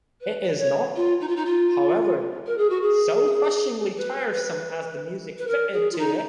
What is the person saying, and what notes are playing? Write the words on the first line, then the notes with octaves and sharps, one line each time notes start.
It is not, however, so crushingly tiresome as the music fitted to it.
B4
C#5
F4
D#4
F4
D#4
F4
A#4
G#4
F#4
G#4
B4
B4
A#4
G#4
F4
D#4